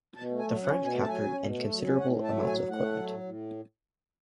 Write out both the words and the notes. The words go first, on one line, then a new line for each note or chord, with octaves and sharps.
The French captured and considerable amounts of equipment.
B2 A5
A3
G#5
F#3
C#4 F#5
B2
G#5
A3
A5
F#3 G#5
C#4
B2
A3
F#3
C#4
A2 F#5
A3
A5
F#3
A2 G#5
A2
F#5
A3
F#3
A2
A2